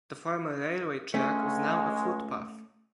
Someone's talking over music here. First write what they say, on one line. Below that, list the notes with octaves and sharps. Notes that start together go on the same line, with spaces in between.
The former railway track is now a footpath.
C#2 G#3 A3 C#4